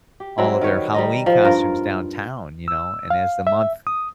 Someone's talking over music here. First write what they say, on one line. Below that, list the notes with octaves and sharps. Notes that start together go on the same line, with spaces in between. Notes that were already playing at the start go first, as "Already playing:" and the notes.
all of their Halloween costumes downtown, you know, and as the month
G4
F#3 G3 C4 E4
D#3 B4 C#5
G3 D#4 D#5
F3
G2 F4 A#4
E6
F5
E5
D#6